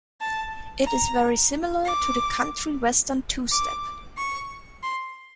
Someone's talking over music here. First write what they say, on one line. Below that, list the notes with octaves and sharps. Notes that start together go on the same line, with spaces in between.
It is very similar to the country western two-step.
A5
A#5
D6
D6
C#6
C6